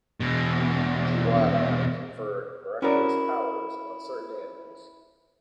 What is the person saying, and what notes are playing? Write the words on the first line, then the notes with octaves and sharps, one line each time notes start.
Tirawa conferred miraculous powers on certain animals.
E2 B2
C#4 E4 F#4 A#4 D5